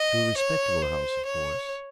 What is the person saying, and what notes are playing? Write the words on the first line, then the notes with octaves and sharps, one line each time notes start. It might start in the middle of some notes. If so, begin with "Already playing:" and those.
"To a respectable house, of course."
Already playing: D#5
C#5
C5
C#5